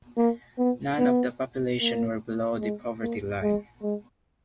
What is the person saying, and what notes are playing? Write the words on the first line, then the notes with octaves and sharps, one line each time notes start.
None of the population were below the poverty line.
A#3
B3
B3
A#3
G#3
A#3
G#3
G#3